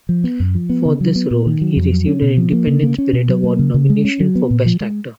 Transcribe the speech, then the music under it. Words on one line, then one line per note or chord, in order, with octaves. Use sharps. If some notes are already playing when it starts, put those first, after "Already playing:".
For this role, he received an Independent Spirit Award nomination for Best Actor.
F3
B3
F#2
F3
B3
C#3
F#3
B3
A#2
D#3
F#3
F2
F#3
C#4
B2
F3
A#3
C#3
A#3
C#4
B2
F#3
A#3
C#3
C#3
G#3
C#4
F#3
B3
A#2
F3
G#3